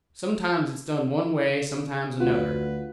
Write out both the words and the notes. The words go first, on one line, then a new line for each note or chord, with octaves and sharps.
Sometimes it's done one way, sometimes another.
D2 F4 F#4 B4